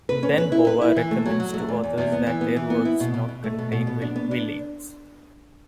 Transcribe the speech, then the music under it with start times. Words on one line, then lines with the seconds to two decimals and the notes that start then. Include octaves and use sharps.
Ben Bova recommends to authors that their works not contain villains.
0.09 B4
0.23 C#4
0.38 B4
0.52 E4
0.67 B4
0.81 E4
0.96 E3
1.11 A3
1.26 F#3
1.40 F#3
1.54 A3
1.69 E2
1.83 E2
1.98 E2
2.12 B3
2.27 E3
2.41 B3
2.56 E3
2.70 B3
2.85 E4
3.00 B2
3.14 B2
3.28 B2
3.44 A3
3.59 B2
3.72 B2
3.87 B3
4.01 D4
4.16 B3
4.31 D4